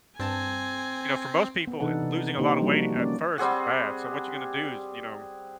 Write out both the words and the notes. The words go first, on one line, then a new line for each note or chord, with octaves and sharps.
you know, for most people, losing a lotta weight at first is bad. So what you're gonna do is, you know
G2 C4 G#5 A5
B3
C3 E3 D4 D#4 A4 F#5
C3
D3 A#3 D#4 G4 C5
F3 G3 A#3 D4 F#4
A#3 C#4 D5
G3 C4 G#4 F#5